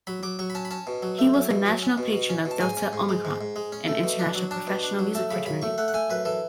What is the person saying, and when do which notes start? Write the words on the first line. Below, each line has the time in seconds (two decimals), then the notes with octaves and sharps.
He was a National Patron of Delta Omicron, an international professional music fraternity.
0.07 F#3 B5
0.23 F#3 D6
0.39 F#3 C#6
0.50 B5
0.55 C#4 A5
0.65 B5
0.71 C#4 A5
0.87 B2
1.03 F#3
1.19 A3
1.34 F#3
1.50 B2
1.66 F#3
1.82 C#4
1.98 B2
2.13 B2
2.29 C#4
2.45 B2
2.51 A5
2.61 G#2 G#5
2.77 C#4
2.93 G#2
3.09 G#3
3.25 G#2
3.41 G#2
3.56 G#3
3.72 C#4
3.88 A3
4.04 B2
4.19 D4
4.35 F#3
4.51 D4 A5
4.67 B2
4.83 D4
4.99 F#3
5.15 A3 A5
5.31 C#3 B5
5.46 F#2 B5
5.62 A3 C#6
5.78 A3 F#5
5.88 F#5
5.94 A3 G#5
6.10 F#2 B4
6.25 E3 A4